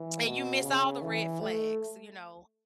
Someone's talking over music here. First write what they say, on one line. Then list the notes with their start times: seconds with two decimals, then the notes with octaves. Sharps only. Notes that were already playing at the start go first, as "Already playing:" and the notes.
and you miss all the red flags, you know?
Already playing: E3
0.24 B2
0.63 C#3
1.02 E3
1.41 A3